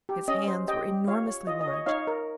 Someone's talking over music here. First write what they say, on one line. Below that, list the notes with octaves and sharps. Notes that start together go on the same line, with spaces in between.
His hands were enormously large.
G4
C#4 D#5
C5
G4 D#5 G5
G4
F4 C#5 F5
C#5
F4 D#5
D#5
C#5
D#5
D#4 C#5 F5
A#4